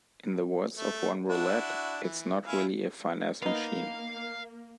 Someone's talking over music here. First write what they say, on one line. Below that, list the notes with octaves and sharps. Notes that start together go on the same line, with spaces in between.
In the words of one Roulette, "it's not really a finesse machine".
A3
D4 E4 F#4
E3
E4 F5 G#5
A#3 B3 D#4 F5